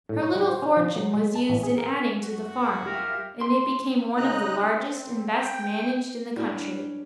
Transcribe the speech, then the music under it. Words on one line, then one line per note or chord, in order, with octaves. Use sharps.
Her little fortune was used in adding to the farm, and it became one of the largest and best managed in the country.
A2
C#5
G3
C5
C#4
F3
F#3
G#3
A5
A1
G#4
A#4
F#2 F#4
G3 F4 G4 A#4 E5
C6
C#3 D#4 D#5 A#5 F#6
C4
G5
A2 G3 C#4 D4 F#4 D5